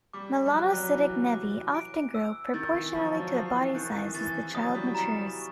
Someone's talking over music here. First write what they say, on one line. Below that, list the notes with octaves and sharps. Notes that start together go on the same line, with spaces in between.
Melanocytic Nevi often grow proportionally to the body size as the child matures.
G3 D6
G3
F#3 F#6
F#3
E3 A#6
D6
D7
E6
D#3 A6
E3
F3 C#6
F#3
F3 C7
E3
D#3 F#6
E3
E3 A6
F#3 D#6
G3
A#5
C#6